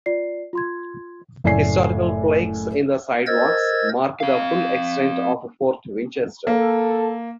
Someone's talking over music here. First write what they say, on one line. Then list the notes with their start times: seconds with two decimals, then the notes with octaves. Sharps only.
Historical plaques in the sidewalks mark the full extent of Fort Winchester.
0.06 F4 D5 C7
0.53 F4 C6 G#6
1.44 F#1 A2 A3 D5 G#5 C7
3.26 A#4 C5 D#5 E6 G#6 A6
4.20 C4 F5
6.47 A#3 A4